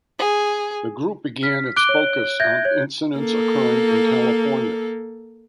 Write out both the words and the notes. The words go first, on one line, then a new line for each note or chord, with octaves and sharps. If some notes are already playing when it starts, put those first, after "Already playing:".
The group began its focus on incidents occurring in California.
G#4
F6 B6
D6 F#6 D7 G7
C#5
E5 G6 G#6 A#6
C#5
A#3 A4